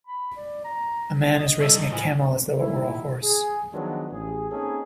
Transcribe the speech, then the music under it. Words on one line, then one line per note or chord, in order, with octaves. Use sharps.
A man is racing a camel as though it were a horse.
B5
D5
A#5
D#5
D#3 G3 A4 E5 C#6 E6
A2 F3 E4 G#5 C#6
D#2 A#2 G#3 D#4 E4
G#4
D#3 F3 F#3 G#3 B3 D4
A1 G#4
A#3 C4 C#4 D#4 G#4 A4